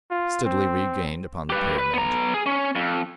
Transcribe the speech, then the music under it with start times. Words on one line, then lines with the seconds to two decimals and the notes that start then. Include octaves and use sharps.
Steadily we gained upon the pyramid.
0.11 F4
0.45 C4
1.50 G4 B4
1.78 B4
1.94 B3 A#5
2.34 G#4
2.46 C#4
2.75 F2